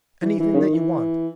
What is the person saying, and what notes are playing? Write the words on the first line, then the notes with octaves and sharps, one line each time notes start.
Anything that you want.
E3
E3
C#3
D#3
E3